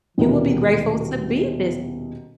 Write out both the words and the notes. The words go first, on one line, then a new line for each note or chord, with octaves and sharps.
you will be grateful to be this.
D#1 B2 E3 A#4